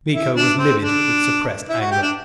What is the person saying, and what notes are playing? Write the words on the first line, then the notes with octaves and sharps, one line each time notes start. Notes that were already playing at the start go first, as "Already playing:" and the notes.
Miko was livid with suppressed anger.
E4
D4
C4
D4
E4
F#4
G4
D4